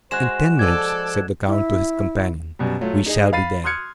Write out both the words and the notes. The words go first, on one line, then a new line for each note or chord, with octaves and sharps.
"In ten minutes," said the count to his companion, "we shall be there."
G#3 F#4 C5 F#6 E7
F3 A4 D5 G#6
E4
F#2 B2 G3
F#3 A3 F4
D#4 G#4 D#5
F5 B5 A6 C7 D#7
C6 D#6 F6 F#6 G#6 C#7